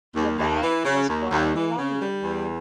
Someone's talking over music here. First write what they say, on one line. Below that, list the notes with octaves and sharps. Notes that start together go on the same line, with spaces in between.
Gubbay was born in London.
D#2
D#2
E3
C#3
D#2
D#2
E3
C#3
G3
E2